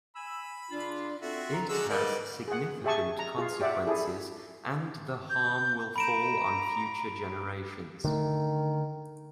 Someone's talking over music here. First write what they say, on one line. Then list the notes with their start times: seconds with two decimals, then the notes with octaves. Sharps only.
It has significant consequences and the harm will fall on future generations.
0.16 G#5 B5 E6
0.71 C#3 D4 F4
1.21 C4 F4 F#4 A4 E5
1.53 A4 A#5
1.69 D3 G#3 A#3 C#4 F#4 G#4 E6
1.89 G3 A#4 B4 D5 D#5 F#5
2.48 G#4 F#5
2.84 G4 G#4 E5 G#5 A5 C#6
3.19 A#5
3.37 F4 G#4
3.61 G4 D5 E5 F#5
3.87 E4 G#4 A4
5.30 G6
5.96 A#5 B5 D7 E7
8.04 D3 D#3 A3